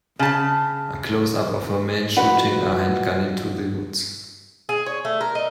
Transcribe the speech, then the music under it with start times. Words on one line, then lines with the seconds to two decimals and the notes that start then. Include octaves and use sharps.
A closeup of a man shooting a handgun into the woods.
0.19 C#3 A5
2.17 F2 F#4 B4 F#5
4.69 G#4
4.86 C#5
5.05 A3
5.21 A#4
5.35 D#4